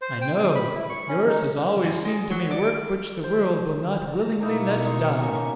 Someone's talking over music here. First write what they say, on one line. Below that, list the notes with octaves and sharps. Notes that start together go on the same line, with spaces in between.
"I know, yours has always seemed to me work which the world will not willingly let die."
C5
G5
C4
B5
E4
C#6
C#4
D#4
F#2
G#3
F#3
D5
C5
A5 A#5
B2 A#3 D#4 E4 C#6
D#4 C6
A#3 C#4